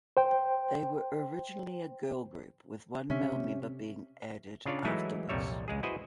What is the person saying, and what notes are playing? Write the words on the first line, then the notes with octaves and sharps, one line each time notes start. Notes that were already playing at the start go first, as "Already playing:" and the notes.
They were originally a girl group, with one male member being added afterwards.
C5 G5
C3 C#4 E5
C#3 D4 F4 C#5 D5
E3 F#3 G#3 A3 D#4 E4
C2 F2 A#2 G3 C#5 E5
C#2 G#3 G#4
E4 F#4 G#4 B4 C5 D#5